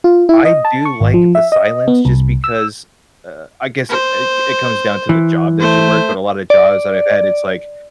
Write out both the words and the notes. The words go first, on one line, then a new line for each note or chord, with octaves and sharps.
I do like the silence just because, uh, I guess it c it comes down to the job that you work, but a lot of jobs that I've had, it's like
F4
E4
D#5
A5
C#6
G#1
F3
E5
D#5
B3
C2
E6
C5
E3
A3 C5
D5